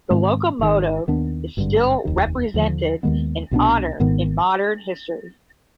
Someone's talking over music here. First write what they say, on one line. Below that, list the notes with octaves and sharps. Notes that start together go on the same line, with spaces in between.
The locomotive is still represented and honored in modern history.
G#2 D#3 G#3 C4
G#1 G#2 D#3
D#2 D#3 B3 D4
G#1 G2 D3
F1 D#2 D#3
D#2 D3 F3
D#2 D#3 G#3 B3
C2 B2 B3 D4
G#1 G#2 D#3 B3